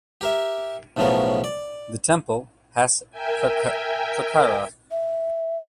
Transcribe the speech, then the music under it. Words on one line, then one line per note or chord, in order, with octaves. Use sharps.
The temple has prakara.
G4 A#4 E5
B1 A2 C#3 F3 B3 A#4
D5
A#4 E5 G5 G#5
E5